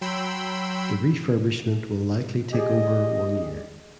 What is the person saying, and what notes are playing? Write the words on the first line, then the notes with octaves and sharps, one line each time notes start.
The refurbishment will likely take over one year.
F#3 G5 B5 C6 E6
G4 G#4 D5 D#5